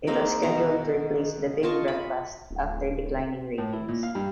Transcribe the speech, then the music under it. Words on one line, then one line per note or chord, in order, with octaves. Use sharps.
It was scheduled to replace "The Big Breakfast" after declining ratings.
G#3 A#3 C4 D#4
B2 D#3 A#5
F4 D#5 A5 C#6
B5
D1
A2
E4
A#2
F5
G2